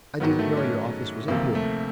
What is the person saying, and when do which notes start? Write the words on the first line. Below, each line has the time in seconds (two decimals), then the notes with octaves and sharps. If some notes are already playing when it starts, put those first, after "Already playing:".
"I didn't know your office was up here."
0.20 G#2 D#3 F#3 B3
0.39 A3
0.57 C#4
1.28 D2 C3 F3 A#3
1.55 A3